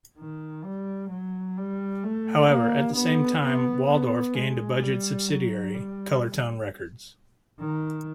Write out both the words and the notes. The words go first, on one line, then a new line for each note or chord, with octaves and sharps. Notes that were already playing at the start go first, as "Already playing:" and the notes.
However, at the same time Waldorf gained a budget subsidiary, Colortone Records.
D#3
G3
F#3
G3
A3
A#3
B3
B3
B3
G#3
G3
F#3
G3
D#3